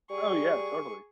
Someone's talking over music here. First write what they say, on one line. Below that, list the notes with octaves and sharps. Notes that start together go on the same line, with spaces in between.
Oh yeah, totally.
G3 G#4 C#6